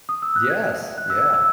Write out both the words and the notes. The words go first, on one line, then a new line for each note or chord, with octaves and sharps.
yes. Yeah.
D#6
E6
F#6
G#6
F#6
E6
G#6
E6